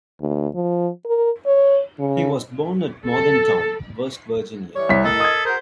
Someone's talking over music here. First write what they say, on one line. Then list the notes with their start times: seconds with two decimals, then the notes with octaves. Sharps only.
He was born at Morgantown, West Virginia.
0.21 D2
0.55 F3
1.06 A#4
1.46 C#5
2.00 C#3
3.10 A4
4.76 E3 G3 C#5
4.89 C2 B6
5.04 A2 A4 A#4 D#5
5.20 D#6 G#6
5.46 F#4 G#4 A#4 C5